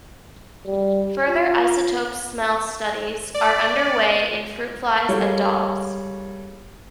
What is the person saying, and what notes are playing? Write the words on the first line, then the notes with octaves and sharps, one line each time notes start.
Further isotope smell studies are under way in fruit flies and dogs.
G3
F4
D5
G3 G#3 A4 A#4 C#5 F5